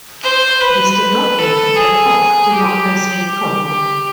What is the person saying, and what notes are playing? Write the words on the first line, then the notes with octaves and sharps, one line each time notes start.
This did not mean that Kok did not face any problem.
C5
B4
A4
G#4
G4
G4
G4